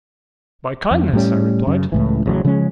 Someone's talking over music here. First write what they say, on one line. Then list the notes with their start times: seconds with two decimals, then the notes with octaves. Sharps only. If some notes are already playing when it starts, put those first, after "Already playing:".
"By kindness," I replied.
0.91 F2
1.13 A2 G3 C#4
1.67 F#2 C#3
1.92 C#2 A2 E3
2.26 A1 C#3 F3 F#3
2.45 C#3 F3 G#3 C#4